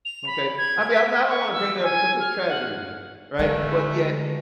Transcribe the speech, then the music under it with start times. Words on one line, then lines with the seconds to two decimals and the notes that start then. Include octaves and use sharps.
okay. I mean, I'm I don't wanna bring that up because it's tragedy here, right? But yet,
0.05 F7
0.26 B5
0.58 G#6
0.91 B6
1.28 C#6
1.53 E6
1.83 G#5
2.19 F6
2.49 F#5
3.39 D3 G#3 A3 B4 F5 A#5